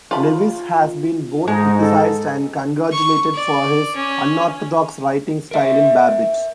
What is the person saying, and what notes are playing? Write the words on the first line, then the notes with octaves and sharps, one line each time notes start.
Lewis has been both criticized and congratulated for his unorthodox writing style in "Babbitt".
F4 B5
G#2 G#3 D#4
A4
C#6
D5
C#4
A#4 E5